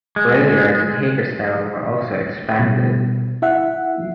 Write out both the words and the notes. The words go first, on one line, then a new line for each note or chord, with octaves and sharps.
Rail yards at Hagerstown were also expanded.
G#3
B2 G3
E4 E5 F#5